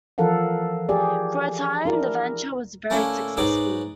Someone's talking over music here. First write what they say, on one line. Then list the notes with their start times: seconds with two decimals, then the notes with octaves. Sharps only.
For a time the venture was very successful.
0.18 E3 F3 A4 A#4 F5 F#5
0.89 G4 G#4 D5
1.85 D4 E4 A#4
2.90 A3 A#3 C#4 D4 E4
3.37 G#2 D#4 B4 C#5 D5 D6